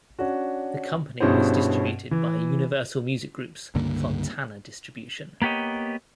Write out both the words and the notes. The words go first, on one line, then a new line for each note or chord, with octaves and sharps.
The company was distributed by Universal Music Group's Fontana Distribution.
C#4 D4 F#4
G2 B2 C#4 E4 G#4 C5
E3
C#2 G2 D3 A#3
A#3 B3 G4 C#5 D#5